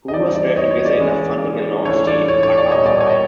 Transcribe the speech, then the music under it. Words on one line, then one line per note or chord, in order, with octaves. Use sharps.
Hoover scraped together enough funding and launched the "Arcata Eye".
D#5
E3 G3 C4 D#4 D5
D5
C#5 D#5
C#5
D5
E3 G#3 C#4 E4
E3 A3 D4 F4 C#5
D5
C#5
C#5
D5
A#2 G3 B3 C#5 D#5
D5
C#5
D#5